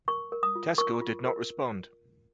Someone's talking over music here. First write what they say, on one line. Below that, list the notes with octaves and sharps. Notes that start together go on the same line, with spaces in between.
Tesco did not respond.
A#4 C#6
A#4
D#6
F4
A#4 C#6
F4
A#4